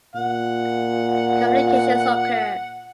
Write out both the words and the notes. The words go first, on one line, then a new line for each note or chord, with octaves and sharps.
Complications occur.
A#2 F#5